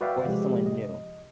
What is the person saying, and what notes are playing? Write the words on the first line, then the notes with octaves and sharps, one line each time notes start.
Or is it someone new?
F#4 B4 D5 E5 F5 G5
C3 F3 G#3 G4
D#5